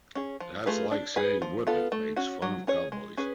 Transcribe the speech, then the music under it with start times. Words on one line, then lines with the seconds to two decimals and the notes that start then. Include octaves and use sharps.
That's like saying "Whip It" makes fun of cowboys.
0.15 C#4 G#4
0.40 F3
0.66 A3 F4 G#4 B4
0.91 D4
1.16 G#4 B4
1.42 F3
1.67 B3 F4 A4
1.92 A3
2.16 C#4 F#4
2.42 F#3
2.67 C#4 G#4 C#5
2.92 G#3
3.17 C#4 G#4 B4